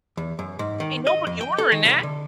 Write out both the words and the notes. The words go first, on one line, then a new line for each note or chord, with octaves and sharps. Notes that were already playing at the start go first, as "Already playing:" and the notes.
Ain't nobody ordering that."
E2
F#2
G#2
D#3
D#5
F2
G5
A4
D#3
C2
D3